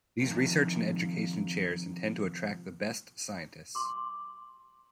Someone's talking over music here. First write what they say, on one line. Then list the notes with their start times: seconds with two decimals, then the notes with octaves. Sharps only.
These Research and Education Chairs intend to attract the best scientists.
0.20 C3 D#3 F3
3.75 C6 D6